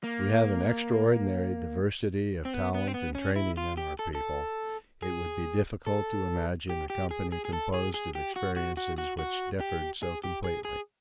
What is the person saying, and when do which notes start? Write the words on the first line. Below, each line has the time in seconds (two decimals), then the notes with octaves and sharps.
We have an extraordinary diversity of talent and training in our people; it would be difficult to imagine a company composed of experiences which differed so completely.
0.04 A#3
2.45 C4
2.54 B3
2.74 B3
2.87 C4
2.94 B3
3.15 C#4
3.36 E4
3.57 F4
3.77 G4
3.99 A4
4.15 A4
5.02 G#4
5.87 A4
6.70 G4
6.90 G4
7.11 G#4
7.32 G#4
7.45 G#4
7.53 A4
7.74 G#4
7.94 G#4
8.15 G4
8.36 F#4
8.56 F#4
8.77 F#4
8.98 F#4
9.19 F#4
9.60 G4
10.03 G#4
10.24 G4
10.44 G#4
10.65 G#4